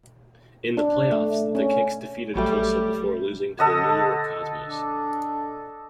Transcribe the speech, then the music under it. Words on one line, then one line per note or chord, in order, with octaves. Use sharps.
In the playoffs, the Kicks defeated Tulsa before losing to the New York Cosmos.
D4
A3
C#4
A1 F#3 G3 A3 F#4 G5
D3 A4 D#5 F#5
D4